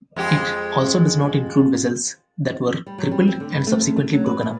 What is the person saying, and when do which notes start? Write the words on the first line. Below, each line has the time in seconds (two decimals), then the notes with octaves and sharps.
It also does not include vessels that were crippled and subsequently broken up.
0.16 F2 G#3 G4
2.86 G3
2.98 F#3
3.11 G3
3.28 C4
3.40 D3
3.52 G2
3.67 A3
3.81 D2
3.97 A3
4.13 F#3
4.26 B4
4.41 A#2